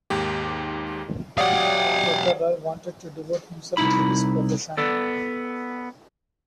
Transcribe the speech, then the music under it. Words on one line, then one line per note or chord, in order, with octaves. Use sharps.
Doctor Roy wanted to devote himself to his profession.
D#2 G#2 G4
F#3 G4 C#5 D5 F5 F#5 D#6
C2 C3 D#4 E4 B5
B3 A4 D5